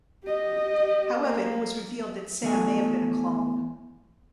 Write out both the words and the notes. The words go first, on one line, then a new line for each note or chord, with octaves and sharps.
However, it was revealed that Sam may have been a clone.
G4 D#5
A#3
E2 A3 G#5